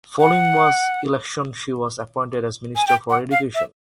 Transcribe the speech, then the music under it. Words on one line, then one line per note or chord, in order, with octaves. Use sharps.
Following the election she was appointed as Minister for Education.
F#5
G#5
G5
F#5
F5
E5